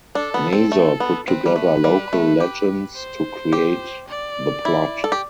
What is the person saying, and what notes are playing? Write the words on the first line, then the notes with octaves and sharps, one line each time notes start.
Nazor put together local legends to create the plot.
D4 A4
B3
C4
A3
B3
C4 B4
G3
A3
G3
A3
G4
C5
G4
D5
E4
A4
G4